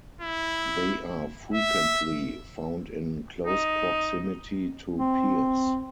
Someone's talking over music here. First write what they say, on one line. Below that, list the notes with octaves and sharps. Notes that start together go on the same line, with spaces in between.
They are frequently found in close proximity to piers.
E4
E5
D#4
C4